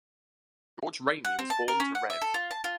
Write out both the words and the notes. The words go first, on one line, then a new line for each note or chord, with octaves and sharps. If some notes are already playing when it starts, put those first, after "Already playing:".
George Rainy was born to Rev.
F#5
C4
A5
A#4
C#4
F#5
E5
A4
F4
A5
F4